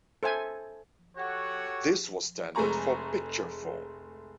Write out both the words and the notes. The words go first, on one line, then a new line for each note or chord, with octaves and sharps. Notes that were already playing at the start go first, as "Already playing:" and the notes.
This was standard for Picturephone.
A4 C5 E5 G#5
F#4 G4 A4 C#5 F#5
F1 G#3 A3 G#4 A#5 C#6